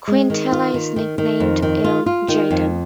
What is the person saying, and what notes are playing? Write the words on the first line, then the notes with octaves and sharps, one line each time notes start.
Quintela is nicknamed ""El Gitano"".
G#3
D#3
F4
D#3
D#3
D#3
F2
D#3
F4
F4
D#3
F2